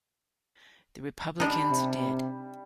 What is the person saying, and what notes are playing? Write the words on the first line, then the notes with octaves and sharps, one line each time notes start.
The Republicans did.
G3 D4 D#4
C3